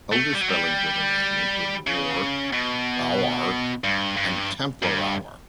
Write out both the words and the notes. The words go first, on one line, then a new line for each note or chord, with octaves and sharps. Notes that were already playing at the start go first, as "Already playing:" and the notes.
Older spellings of the name include "Roar", "Rowar" and "Tamplerowar".
A3
G3
F#3
G3
C#3
B2
G2
G2
G2